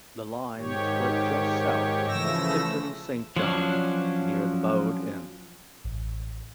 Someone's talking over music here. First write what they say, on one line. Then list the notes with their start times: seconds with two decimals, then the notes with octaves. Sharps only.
The line split just south of Tipton Saint John, near the Bowd Inn.
0.58 G#2 D#3 G4 C#5
2.08 C#3 E3 F3 A3 E6 A#6
3.37 F3 F#3 C#4 D4
5.84 A1